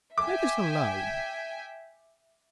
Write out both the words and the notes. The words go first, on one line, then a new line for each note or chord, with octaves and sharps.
Let us alone.'
E5 G5 G#5 D6